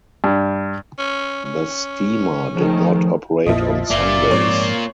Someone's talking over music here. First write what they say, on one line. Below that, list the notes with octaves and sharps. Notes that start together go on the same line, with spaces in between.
The steamer did not operate on Sundays.
G2
C#4
C#4
D#3 F3 A3 G#4
A#1 F2 A#2 F3 E4 D#5
F#1 A#3 F4 D5 E5
G#2 F3 C4 C#5 C7